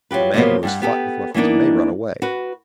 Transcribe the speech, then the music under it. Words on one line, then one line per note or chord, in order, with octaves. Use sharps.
A man who has fought with weapons may run away.
F#3 F4 G4 B4
C3 F3 F#3 A#3 B3
G2 G3 F#5
B3 G4 A4
E3 A#3 B3 D4 D#4
F#4 B4